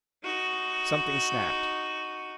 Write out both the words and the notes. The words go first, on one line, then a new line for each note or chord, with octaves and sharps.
Something snapped.
D#4 F#4